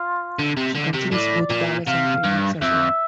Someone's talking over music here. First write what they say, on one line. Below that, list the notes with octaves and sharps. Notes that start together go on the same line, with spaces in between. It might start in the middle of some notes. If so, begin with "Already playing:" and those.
She considers both Dallas and Phoenix as "Home".
Already playing: F4
D3
C3
D3
C3
A2 D5
A#2
C3 F5
G2
F2 E5